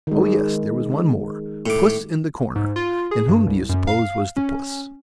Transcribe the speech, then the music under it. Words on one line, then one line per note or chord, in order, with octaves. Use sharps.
Oh, yes, there was one more, puss in the corner, and whom do you suppose was the puss?
D#3 G#3
A2 D6
G#2
F4
G#4
G2
C2
F#2
F5
C#4